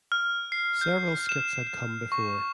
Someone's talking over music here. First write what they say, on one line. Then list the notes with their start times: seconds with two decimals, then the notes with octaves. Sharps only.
Several skits had come before.
0.12 F6
0.52 C7
0.81 G6
1.29 E7
2.12 C#6